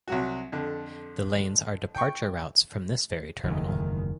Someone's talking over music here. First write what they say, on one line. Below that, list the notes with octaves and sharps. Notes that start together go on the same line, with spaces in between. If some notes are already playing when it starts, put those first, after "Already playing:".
The lanes are departure routes from this ferry terminal.
C2 F#3 F#4
F2 D3
G5 C#6
F#1 E2 A2 D#3 G#3